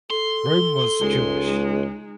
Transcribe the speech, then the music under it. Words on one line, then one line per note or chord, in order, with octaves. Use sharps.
Rome was Jewish.
A4 C6
C#2 G#3 D#4